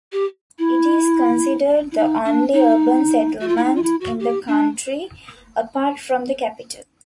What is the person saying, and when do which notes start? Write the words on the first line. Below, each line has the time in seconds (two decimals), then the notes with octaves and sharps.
It is considered the only urban settlement in the country, apart from the capital.
0.12 G4
0.59 E4
1.92 E4
1.97 D#4
2.25 D4
2.53 D#4
3.41 F#4
3.48 F4
3.57 E4
3.63 D#4
3.75 F4
3.83 E4
4.01 F#4
4.19 G4
4.48 D4